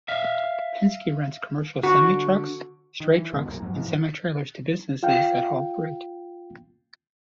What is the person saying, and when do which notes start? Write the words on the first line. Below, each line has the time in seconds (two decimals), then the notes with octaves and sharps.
Penske rents commercial semi-trucks, straight trucks and semi-trailers to businesses that haul freight.
0.08 E5 F5
1.83 D3 F#4
3.00 D#3
3.12 E3
3.32 G#1 D#2 B2 G#3
3.47 C2 F#2 A#3
3.60 F2 G#2 F#3
3.75 G#2 C3 E3 F3
5.03 F4 F5 G5